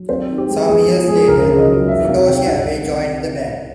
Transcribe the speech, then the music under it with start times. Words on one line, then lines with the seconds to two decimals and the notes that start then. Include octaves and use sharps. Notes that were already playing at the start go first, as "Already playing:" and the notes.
Some years later Futoshi Abe joined the band.
Already playing: F#3
0.09 C4 C5
0.28 D#3
0.38 G4
0.49 G#3
0.68 B3 G#4
0.88 F3
1.08 G#3 G#4
1.28 C#2 A#4
1.48 C#3
1.58 D#5
1.67 F#3
1.87 E2 E5
2.07 C3 F5
2.27 D#3 G5
2.46 C2 F#5